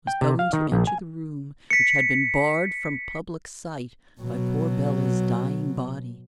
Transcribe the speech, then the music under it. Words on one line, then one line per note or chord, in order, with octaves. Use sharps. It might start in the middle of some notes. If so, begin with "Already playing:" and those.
She was going to enter the room which had been barred from public sight by poor Bela's dying body.
G5
C3
F5
D#3
A#1
G#5
B6 C#7
B2 F#3